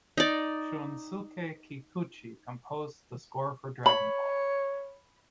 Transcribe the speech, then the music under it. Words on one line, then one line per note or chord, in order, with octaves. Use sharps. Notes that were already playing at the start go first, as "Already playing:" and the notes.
Shunsuke Kikuchi composed the score for "Dragon Ball".
D#4 D5
C#5 B5